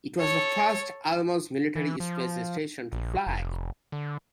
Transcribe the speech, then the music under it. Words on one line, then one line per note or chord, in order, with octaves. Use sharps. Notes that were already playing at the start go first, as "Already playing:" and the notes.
It was the first Almaz military space station to fly.
A4 C#5
E3
F3
A#1
F1
D3